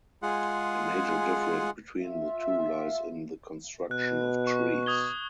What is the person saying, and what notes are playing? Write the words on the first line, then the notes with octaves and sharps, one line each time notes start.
A major difference between the two lies in the construction of trees.
G#3 F4 G#4 F#5
F4 E5
B2 F#6
C#6
D#6 G#6 G7